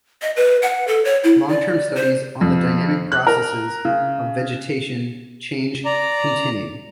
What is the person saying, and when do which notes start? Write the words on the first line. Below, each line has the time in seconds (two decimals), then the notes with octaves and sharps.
Long term studies on the dynamic processes of vegetation change continue.
0.22 D#5
0.36 B4
0.62 F#5
0.88 A4
1.05 C#5
1.24 E4
1.49 D5
1.96 C5
2.41 F2
3.12 F#6
3.27 A#4
3.85 C#3
5.85 D5 A#5